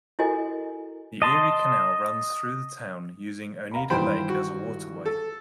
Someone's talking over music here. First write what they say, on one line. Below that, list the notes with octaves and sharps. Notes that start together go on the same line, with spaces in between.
The Erie Canal, runs through the town, using Oneida Lake as a waterway.
E4 F#4 A4 A#4 D#5 G#5
D#5 A5 C6
F5 A#5 B5
G#1 G2 E3 C5 G5 B5
F#4
A4